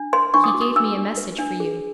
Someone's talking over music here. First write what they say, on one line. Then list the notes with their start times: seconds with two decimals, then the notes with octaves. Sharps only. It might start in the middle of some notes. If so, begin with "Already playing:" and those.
He gave me a message for you.'
Already playing: D4
0.13 B4 C6
0.34 D4 C#6
0.44 D#6
0.48 D6
0.54 F#4
0.61 D#6
0.75 D4 E6
0.97 D4
1.17 B4
1.38 D4
1.60 G#4